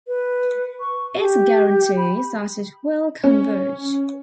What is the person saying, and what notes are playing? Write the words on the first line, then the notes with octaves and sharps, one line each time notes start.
It guarantees that it will converge.
B4
C#6
G4
B5
C#4